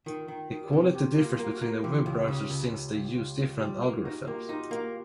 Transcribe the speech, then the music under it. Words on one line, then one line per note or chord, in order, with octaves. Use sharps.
The quality differs between the web browsers since they use different algorithms.
D#3 F4
D#3
D#3 F#4
G4
C3 F#4
C3 F4 G4
A#3
F4
A#3
F#4
A#3
E3 F4 G4
C#2
C#3
C#2
C#2
C#2
C#2
C#2
G3 F4 G4
A#3 F#4
D#4 F#4 G#4
A#3 F4 G4
D#4 F4 G4
A#3 F#4